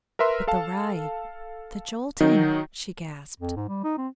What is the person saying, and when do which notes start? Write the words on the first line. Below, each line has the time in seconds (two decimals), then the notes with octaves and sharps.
"But the ride--the jolting," she gasped.
0.19 A#4 B4 E5 C6
0.47 A4 F5 A5
2.20 D#3 F#3 D#4
3.40 F2
3.56 G#2
3.68 G3
3.84 D#4
3.97 C4